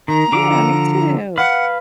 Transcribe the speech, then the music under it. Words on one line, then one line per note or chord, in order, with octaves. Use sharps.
Yeah, me too.
D#3 A#5
D3 F3 D6
B4 F5 F#5